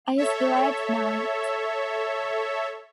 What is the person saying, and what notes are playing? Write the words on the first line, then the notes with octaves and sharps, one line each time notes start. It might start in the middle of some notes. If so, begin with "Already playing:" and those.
I was glad to know it.
A4 C#5 E5